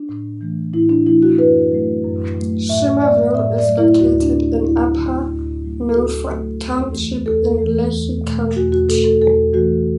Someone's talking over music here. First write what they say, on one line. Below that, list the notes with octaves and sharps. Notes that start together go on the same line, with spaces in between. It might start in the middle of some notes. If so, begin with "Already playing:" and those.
Shimerville is located in Upper Milford Township in Lehigh County.
Already playing: D4
A2
E3 A3
A2 E4
D4
E3 A3 E4
F#4
F#2 B4
F#3 A3
F#2
F#3 A3
A2 E5
F#3 A3 D5
A2 E5
D5
F#3 A3
E4
D2 F#4
D4
D3 A3
D2 E4
D3 A3
D2
D3 F#3 A3
A4
D2 F#4
D3 F#3 A3
E2
E3 A3
E2 A4
E3 A3
E2
B2 A3
E2 F#4
F#4
B2 A3 A4
A4
E2 A4
E3 A3 F#4